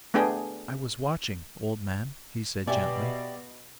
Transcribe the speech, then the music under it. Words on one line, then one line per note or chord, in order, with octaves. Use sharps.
"I was watching, old man," he said gently.
A3 B3 D4 G#4 G5
B2 G4 D5 E5 G#5